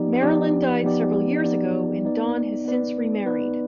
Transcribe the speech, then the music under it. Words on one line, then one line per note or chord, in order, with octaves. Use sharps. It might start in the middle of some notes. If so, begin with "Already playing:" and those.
Marilyn died several years ago and Don has since remarried.
Already playing: F3 B3 D#4 G4 D5
F3 B3 D#4 G4 D5
F3 B3 D#4 G4 D5
F3 B3 D#4 G4 D5
B3 D#4 B4 D5
B3 D#4 B4 D5
B3 D#4 B4 D5